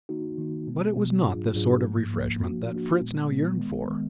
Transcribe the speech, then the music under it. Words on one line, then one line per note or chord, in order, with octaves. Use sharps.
But it was not this sort of refreshment that Fritz now yearned for.
D#3 A#3 D#4 F#4
D#3 A#3 D#4 F#4
B2 G#3 B3
B2 G#3 B3
G#2 F#3 D4 F4 G#4
G#2 F#3 D4 F4 G#4
G#2 F3 A#3
G#2 F3 A#3
F3 A#3 D4 F#4
F3 A#3 D4 F#4
A#2 G#3 B3
A#2 G#3 B3
D#3 G#3 B3
D#3 G#3 B3